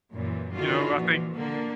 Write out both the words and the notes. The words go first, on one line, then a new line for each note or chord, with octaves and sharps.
You know, I think
F#2 A#2 E3
D3 D#3 F4 F#4
A#2 E3 F3
D3 A#3